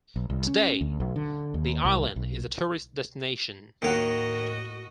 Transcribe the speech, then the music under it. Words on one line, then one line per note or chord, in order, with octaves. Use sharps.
Today, the island is a tourist destination.
B1
C2
C#4
D2
B1
D3
D#2
C2
B1
D#2 A2 D#3 A#3 F#4 C#5 D#5 F#5